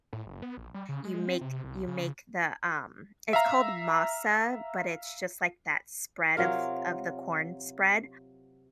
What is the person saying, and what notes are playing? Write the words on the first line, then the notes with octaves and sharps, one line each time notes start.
you make you make the, um it's called masa, but it's just, like, that spread of of the corn spread
A2
F#1
B3
A#1
G3
C#3
G#3
C4
C3
C2
C#3
E5 F5 A#5
C3 F#3 F4 A#4